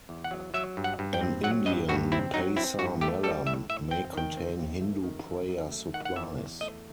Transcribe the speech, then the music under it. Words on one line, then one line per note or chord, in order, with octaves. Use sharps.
An Indian pasar malam may contain Hindu prayer supplies.
E2
F#5
F#3
F#3 E5
G2
F#5
G2
G5
C4
F#3 F#5
G2 D#5
G2 F#4
C4 E4
F#3 D#4
C4 E4
G2 F#4
A3 G4
G3 A4
A2 E5
A2 E5
C4 G5
D#3 G5
C4
D#2
A3
D#3
F#2
F#2
A3
D#3 F#5
F#5
E2 E5
E2
A3 D#5